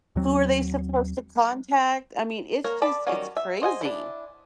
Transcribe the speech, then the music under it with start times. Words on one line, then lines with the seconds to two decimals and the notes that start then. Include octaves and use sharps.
who are they supposed to contact? I mean, it's just it's crazy.
0.16 D#2 F#3 C4
2.64 A#3 A#4 C#5
2.82 D5 A5 B5
3.07 D#3 F#3 G3 C#4
3.37 E5
3.62 C5 D#5 F#5 G#5
3.81 D4 E4